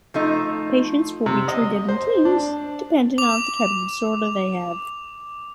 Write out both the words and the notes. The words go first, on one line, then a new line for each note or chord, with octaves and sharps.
Patients will be treated in teams, depending on the type of disorder they have.
F3 A3 D#4
C3
D#5
C5
D4
D6 F7